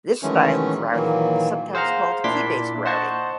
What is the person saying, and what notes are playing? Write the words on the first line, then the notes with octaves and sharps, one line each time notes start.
This style of routing is sometimes called key-based routing.
D#3 E3 F#3 G#3 A3 C#4
A#2 D#3 E3 F#3 A#3
G#4 C5 F5 F#5 A#5
A#2 D4 E4 C6 D6 B6
C5 D#5 F#5 A5 C#6